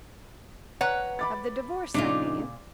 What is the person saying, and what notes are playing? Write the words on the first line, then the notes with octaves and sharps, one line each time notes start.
"Of the divorce, I mean?"
B4 C#5 F#5 A#5
B5 D6 A6
A#2 C#3 D4 D#4 F4